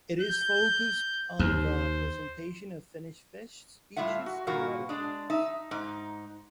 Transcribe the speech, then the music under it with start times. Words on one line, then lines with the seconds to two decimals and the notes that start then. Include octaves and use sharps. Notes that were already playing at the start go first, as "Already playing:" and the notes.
It is focused on the presentation of Finnish fish species and water bodies.
0.21 G6
1.39 D#2 C5
3.96 A2 G3 F4 E5 F#5
4.26 F#4
4.47 G2 A#2 A#3 F#4
4.89 G#3 D4
5.30 D#4 E5
5.71 G#2 D#4